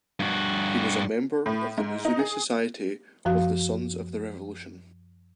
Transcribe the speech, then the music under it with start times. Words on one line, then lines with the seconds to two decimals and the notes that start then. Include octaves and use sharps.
He was a member of the Missouri Society of the Sons of the Revolution.
0.20 G2 F#4
1.46 A2
1.78 G#2
2.05 D#4
2.19 G#4
3.25 F#2 F3 F#4 F5